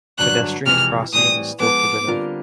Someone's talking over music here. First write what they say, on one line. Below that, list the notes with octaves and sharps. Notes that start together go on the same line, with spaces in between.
Pedestrian crossing is still forbidden.
G2 D3 F#3 F#6
F2 C3 E3 G#3 F6
A2 E3 G3 C4 D#6
F3 G#3 B3 D6
D3 G3 C4 F4 A#4